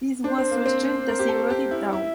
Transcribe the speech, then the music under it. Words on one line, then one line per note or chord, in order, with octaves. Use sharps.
This was so strange that she wrote it down.
D4 C5
C4
A#3
C4
A#4
G4
A4
G4
E4
D5
E4 E5